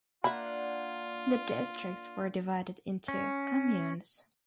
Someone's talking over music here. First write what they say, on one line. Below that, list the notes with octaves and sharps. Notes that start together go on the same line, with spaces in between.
The districts were divided into "communes".
A#3 D4 F4 E5 F#5 B5
C#4